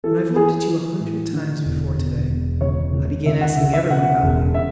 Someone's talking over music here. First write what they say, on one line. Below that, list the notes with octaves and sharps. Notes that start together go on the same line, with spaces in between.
And I've looked at you a hundred times before to-day; I began asking every one about you.
E3 A4
E3 G#4
E3
A2
D3
E1
E1
E1
C#2 C#5
C#2
C#2 E5
F#5
C#2 E5
E5
C#3 F#5
E1
E5